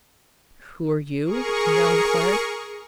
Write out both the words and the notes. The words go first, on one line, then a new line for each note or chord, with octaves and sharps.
"Who are you?" I now inquired.
G#4 A#4 C#6